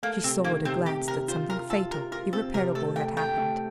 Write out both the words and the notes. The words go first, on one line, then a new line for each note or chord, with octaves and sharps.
She saw at a glance that something fatal, irreparable, had happened.
A3 A#3
C3 C4
D#3 A#3
C3 C4
C3 G4
C3 A#4
F4 C5
F4 A#4
F4 A4
F4 A#4
F4 A#4
C4 A4
C3 A#4
A3 A4
A3 G5
A3 G5
A3